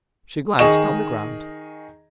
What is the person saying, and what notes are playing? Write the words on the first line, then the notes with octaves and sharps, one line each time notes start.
She glanced on the ground.
D#3 G#4 D#5 C#6 E7